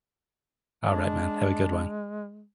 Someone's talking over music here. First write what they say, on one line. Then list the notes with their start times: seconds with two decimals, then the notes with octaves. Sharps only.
Alright, man, have a good one.
0.85 G#3 D4